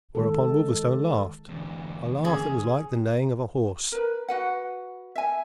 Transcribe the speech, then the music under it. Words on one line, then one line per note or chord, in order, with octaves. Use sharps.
Whereupon Wolverstone laughed, a laugh that was like the neighing of a horse.
D#3 G#3 A4
E2 D3
C#4 G#4
A#4 B4
F#4 B4 F#5
E5 G#5